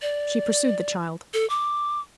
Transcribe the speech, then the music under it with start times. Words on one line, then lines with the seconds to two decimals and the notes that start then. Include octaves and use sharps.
She pursued the child.
0.02 D5
1.34 A4
1.50 D6